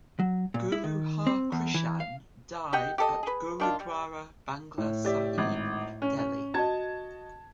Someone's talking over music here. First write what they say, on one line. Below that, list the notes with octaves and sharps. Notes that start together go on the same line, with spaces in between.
Guru Har Krishan died at Gurudwara Bangla Sahib, Delhi.
F#3
A#2
E4
D#3
C4
E2
E3
F5
G4 D#5 F#5 G5
G4 A4 D#5
G#4 B4
D#3 D4 F4
G3
A2
G4 D5 E5
G#1
C#4
C#4
F#4 D#5 A5 G#6